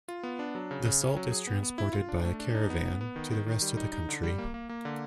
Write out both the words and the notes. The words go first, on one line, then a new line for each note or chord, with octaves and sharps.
The salt is transported by caravan to the rest of the country.
F4
B3
D4
F#3
C#3
C#3
C#4
F#3
G#4
B3
B3
E4
F4
D4
A3
D4
D#4
B3
B3
B3
D#3
D#3
D#3
G3
D#4
D#4
D3
G3
A#3
A#3
A#3
D3